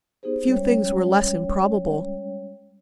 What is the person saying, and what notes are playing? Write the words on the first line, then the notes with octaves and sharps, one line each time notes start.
Few things were less improbable.
B3 D#4 G4 G#4 C5
G3 G#3 C#4 C#5 G5